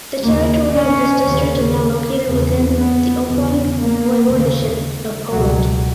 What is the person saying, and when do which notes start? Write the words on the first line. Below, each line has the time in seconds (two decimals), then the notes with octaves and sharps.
The territory of this district is now located within the Opole Voivodeship of Poland.
0.23 D#2 C#3 A#3
0.74 C#4
1.25 D#2 C#3
2.26 E2 C#3
2.77 B3
3.28 E2 C#3
3.78 A#3
4.29 D#2 C#3
5.30 C#2 B2 F#3